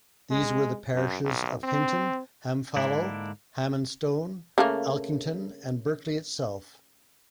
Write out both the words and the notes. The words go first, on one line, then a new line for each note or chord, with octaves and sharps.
These were the parishes of Hinton, Hamfallow, Ham and Stone, Alkington, and Berkeley itself.
G#3
F#2
B1
C4
G#2 D3 A#3 D4 E4
C#3 A3 A#3